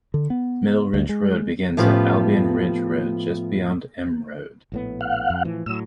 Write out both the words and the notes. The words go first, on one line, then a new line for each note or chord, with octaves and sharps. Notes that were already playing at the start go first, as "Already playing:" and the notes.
Middle Ridge road begins at Albion Ridge Road just beyond M Road.
D3
B3
D2
G#3
A2 F3 B3 C#4 F4 G4
A#1 A2 B3
F5 F#5
F2
A2 E3 F3
A2 F#3 E6